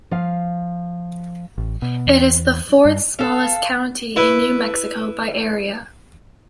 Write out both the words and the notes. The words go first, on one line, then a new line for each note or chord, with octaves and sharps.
It is the fourth-smallest county in New Mexico by area.
F3 F5
A1
B2
E2
G2
A4 F5
E4 B4